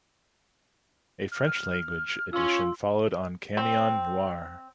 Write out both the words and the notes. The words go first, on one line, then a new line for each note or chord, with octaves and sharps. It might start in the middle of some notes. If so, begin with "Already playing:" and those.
A French language edition followed on Camion Noir.
F6
C#4 F4 C6 E6
C4